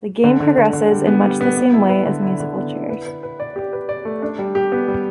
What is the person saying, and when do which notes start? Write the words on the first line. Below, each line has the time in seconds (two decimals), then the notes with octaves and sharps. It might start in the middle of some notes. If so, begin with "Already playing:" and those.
The game progresses in much the same way as musical chairs.
0.24 D3
0.40 D3
0.58 D3
0.73 D3
0.91 G3
1.07 B3
1.24 G3
1.41 B3
1.57 B3
1.73 E4
1.89 B4
2.06 D3
2.23 E4
2.40 D3
2.56 B3
2.73 E4
2.90 B4
3.06 B4
3.23 B4
3.40 D5
3.56 G4
3.73 B4
3.89 D5
4.05 A3
4.22 D4
4.39 G3
4.55 G4
4.72 B3
4.88 G3